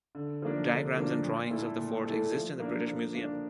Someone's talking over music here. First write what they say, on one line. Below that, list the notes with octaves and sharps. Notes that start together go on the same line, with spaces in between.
Diagrams and drawings of the Fort exist in the British Museum.
D3
F3 A#3 D4
D3
F3 A#3 D4
A#2
A3 E4 A4
A#2
A3 E4 A4
F3
A#3 D4
F3
A#3 D4